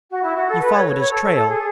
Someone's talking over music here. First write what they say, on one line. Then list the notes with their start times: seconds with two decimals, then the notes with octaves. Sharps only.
"You followed his trail?"
0.10 F#4
0.22 E4
0.35 F#4
0.47 A4
0.60 B4
0.72 C#5
0.97 C#5
1.10 A4
1.22 A4
1.34 A4
1.47 G#4